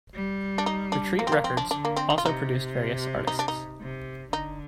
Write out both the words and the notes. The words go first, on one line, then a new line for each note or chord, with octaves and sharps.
Retreat Records also produced various artists.
G3
D4
D#4
D4
F3 A#3
C4
A#3
C4
D4
D3 D4
A#3
C4
D#4
F4
C3 D#4
D#4
D4
D#4
C3
D3 D#4